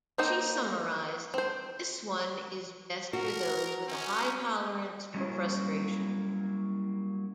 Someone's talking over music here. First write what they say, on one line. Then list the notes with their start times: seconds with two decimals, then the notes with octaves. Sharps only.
She summarized, This one is best for those with a high tolerance for frustration.
0.18 A#3 C4 D#4 C5
1.34 C4 C5
3.13 F#4 A#4
3.88 C#4
5.14 F#3 G3 A#3 C#4 E4